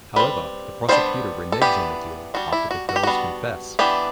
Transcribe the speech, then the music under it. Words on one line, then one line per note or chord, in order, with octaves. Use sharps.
However, the prosecutor reneges on the deal after the girls confess.
G3 C4 B4
G3 B3 D4 C5
A4
E3 B3 D4 G4
G3 D4 F#4
E4
F#4
F#4
G4
G3 B3 D4 F#4
E3 B3 D4 G4